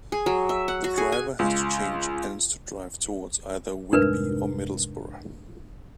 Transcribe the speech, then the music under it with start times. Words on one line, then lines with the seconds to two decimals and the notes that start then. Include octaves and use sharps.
The driver has to change ends to drive towards either Whitby or Middlesbrough.
0.12 G#4
0.26 F#3
0.49 E5
0.68 F#5
0.84 F#4
0.98 G#4
1.12 G#5
1.39 C#2
3.93 F1 C2 G#2 D4 A#4 B4